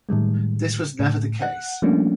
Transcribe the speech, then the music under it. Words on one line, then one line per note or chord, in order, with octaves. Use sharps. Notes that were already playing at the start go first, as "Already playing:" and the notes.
This was never the case.
A2 D#3 G3 G#3
A2
F#5 F#6
F3 G3 A3 A#3 C#4 D4